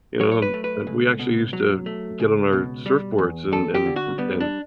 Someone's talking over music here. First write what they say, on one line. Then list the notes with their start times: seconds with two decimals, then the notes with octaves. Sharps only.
You know, and and we actually used to get on our surfboards and and r and
0.20 F#3 C#5
0.32 C#5
0.42 B4
0.54 A3
0.64 B4
0.87 C#2
1.19 B2
1.53 F#3
1.86 A3
2.20 C#2
2.53 B2
2.86 G3
3.18 E2
3.52 E2 A4
3.74 G4
3.86 D3
3.96 F#4
4.18 G3 B3
4.40 D4